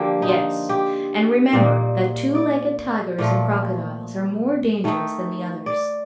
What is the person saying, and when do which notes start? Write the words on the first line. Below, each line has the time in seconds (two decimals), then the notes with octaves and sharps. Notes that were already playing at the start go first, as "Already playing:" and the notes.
"Yes; and remember that two-legged tigers and crocodiles are more dangerous than the others."
Already playing: D3 F3 A#3 G4
0.22 D#4
0.28 F4
0.69 G4
1.53 A#2 G3 A#3 D#4
2.35 D5
3.18 A#2 F3 A3
4.84 D#3 A3 D#4
5.66 D5